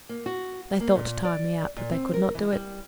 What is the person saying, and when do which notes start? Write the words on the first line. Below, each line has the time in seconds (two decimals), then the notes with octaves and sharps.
They thought to tire me out, but they could not do it.
0.09 A#3
0.26 F#4
0.80 A#3
0.96 A#2
1.25 D5
1.77 A#2
1.92 C4
2.14 A#4
2.35 E3
2.53 G3